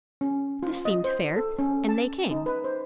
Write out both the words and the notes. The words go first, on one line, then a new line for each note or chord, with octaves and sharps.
This seemed fair, and they came.
C#4
F4
D#5
C5
A4
C#4
A5
D#4
B4
C5